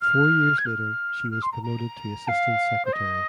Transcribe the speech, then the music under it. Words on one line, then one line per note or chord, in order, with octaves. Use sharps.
Four years later she was promoted to assistant secretary.
F6
G#6
F6
F6
C6
A#5
A#5
F5
C5
D#5